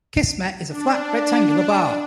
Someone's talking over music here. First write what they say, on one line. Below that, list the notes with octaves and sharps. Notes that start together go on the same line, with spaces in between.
Kismet is a flat, rectangular bar.
D4